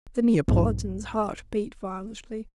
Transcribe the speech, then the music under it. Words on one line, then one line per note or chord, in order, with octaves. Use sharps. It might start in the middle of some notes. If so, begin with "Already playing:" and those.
The Neapolitan's heart beat violently.
B1 G#2